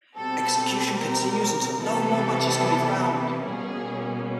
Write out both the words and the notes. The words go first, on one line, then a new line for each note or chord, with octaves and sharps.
Execution continues until no more matches can be found.
B2 G3 C4 A4
A#4
C3 E3 G3 B3 A4
B2 G3 A#3 C#4 G#4